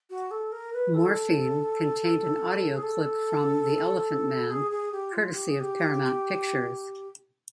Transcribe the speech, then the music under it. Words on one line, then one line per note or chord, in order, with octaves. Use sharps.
"Morphine" contained an audio clip from "The Elephant Man", courtesy of Paramount Pictures.
F#4
A4
A#4
B4
A4
G#4
A4
G#4
G#4
G4
F4
G4
G#4
G4